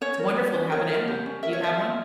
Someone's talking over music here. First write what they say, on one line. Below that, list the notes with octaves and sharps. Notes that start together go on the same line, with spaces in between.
it's wonderful to have an animal. Do you have one?
C#4 C#5
A#4
G4
C#4
A#4 C#5
A#4
G4
C#4
A#4 E5
C#5
F4 E5
F4